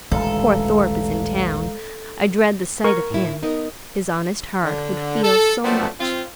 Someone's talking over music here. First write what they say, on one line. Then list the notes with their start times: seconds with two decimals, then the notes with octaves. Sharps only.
Poor Thorpe is in town: I dread the sight of him; his honest heart would feel so much.
0.12 D#1 A1 D3 G#3 A4 F5 A#5
2.84 A#4 C#6
3.10 A2 E4
3.43 B3 D#4 A#4
4.64 D3
5.23 A4
5.64 F3 F#3 A3 B3 C4 D4
6.00 C4 F4